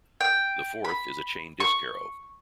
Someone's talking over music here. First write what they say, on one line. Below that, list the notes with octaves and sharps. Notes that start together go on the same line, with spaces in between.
The fourth is a chain disk harrow.
G5
B5
C#6